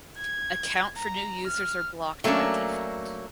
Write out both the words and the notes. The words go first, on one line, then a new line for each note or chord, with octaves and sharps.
Account for new users are blocked by default.
G#6
A#5
F6
F#3 A3 A#3 C#4 D4